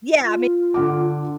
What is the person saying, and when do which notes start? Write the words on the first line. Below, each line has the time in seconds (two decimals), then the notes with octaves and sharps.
Yeah, I mean,
0.24 F4
0.74 D3 F#5 D6